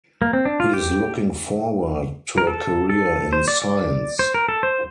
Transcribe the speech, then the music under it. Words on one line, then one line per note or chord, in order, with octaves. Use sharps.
He is looking forward to a career in science.
A#3
C4
D4
F4
G4
A#4
A4
A4
C5
D5
D5
C5
A#4
A4
C5